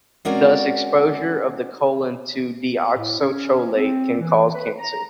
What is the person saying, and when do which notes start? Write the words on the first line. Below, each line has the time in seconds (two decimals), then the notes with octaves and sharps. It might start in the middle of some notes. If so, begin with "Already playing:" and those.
Thus, exposure of the colon to deoxycholate can cause cancer.
0.25 G#3 C4 C#4 F#4 A#4 D5
2.92 A2
3.20 C#4
3.74 C4
4.20 E3
4.54 B4
4.78 A#5